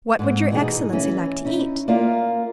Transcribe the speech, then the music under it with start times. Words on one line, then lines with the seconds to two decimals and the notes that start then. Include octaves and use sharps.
"What would your excellency like to eat?"
0.19 G#2 C4
0.51 B2 E3 D#4 E4 G#4
0.92 E3 C#4 E4
1.45 C#4 D#4 E4
1.88 A#3 F4 A#4 D5 E5 F5